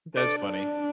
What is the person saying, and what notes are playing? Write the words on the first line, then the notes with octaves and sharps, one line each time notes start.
That's funny.
D4 A4 D5